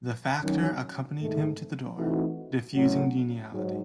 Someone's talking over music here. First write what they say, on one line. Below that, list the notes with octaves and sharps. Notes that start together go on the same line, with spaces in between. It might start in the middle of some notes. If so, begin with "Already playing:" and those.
The factor accompanied him to the door, diffusing geniality.
D#3 F#3 C#4
G#2 D#3 A3
E3 A3 C4 D#4 F#4
A2 F#3 A3 C#4 F#4
G#2 F#3